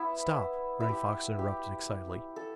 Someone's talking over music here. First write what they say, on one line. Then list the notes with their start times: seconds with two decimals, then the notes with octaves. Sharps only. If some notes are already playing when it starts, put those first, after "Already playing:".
"Stop!" Running Fox interrupted, excitedly.
Already playing: B3 E4
0.80 E4
0.89 G4
1.39 G4
2.36 A4